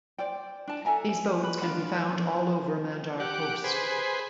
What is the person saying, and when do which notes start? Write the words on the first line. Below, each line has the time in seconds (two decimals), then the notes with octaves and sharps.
These boats can be found all over Mandar coast.
0.18 C5 D5 G5
0.67 D4 A5
0.85 A4 E5 G#5 A#5
1.43 B4 B5
1.61 D4 F4 F5 B5
1.94 B4
3.20 G4 F#5 D6
3.64 G#4 B4 C5